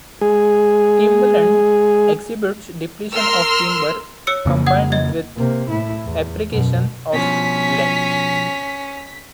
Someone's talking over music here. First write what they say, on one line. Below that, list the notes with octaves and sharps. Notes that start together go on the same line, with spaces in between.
Timberland exhibits depletion of timber combined with appreciation of land.
G#3 G#4
A#4 C6 E6 F6
C#5 E6 C#7
F2 C#3 A#3
F#5 D#6 G#6
D#5 G#6
C3 A#3
A2 E4
E2
F#2 B2
B2 F3 C#4 B6